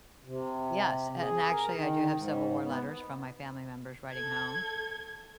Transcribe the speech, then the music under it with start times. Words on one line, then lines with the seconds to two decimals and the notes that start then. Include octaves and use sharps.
Yes, and actually I do have Civil War letters from my family members writing home.
0.24 C3
1.18 G#4
1.50 A#4
1.74 D#3
2.13 G#2
2.63 B3
4.11 A4 G#6